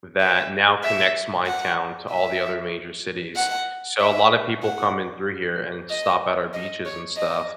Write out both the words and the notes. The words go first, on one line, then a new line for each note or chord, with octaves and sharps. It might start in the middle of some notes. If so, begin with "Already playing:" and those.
that now connects my town to all the other major cities, so, a lot of people come in through here and stop at our beaches and stuff,
E5
E5
F#5
E5
F#5
E5
F#5
D#5
D#5
C#5
D#5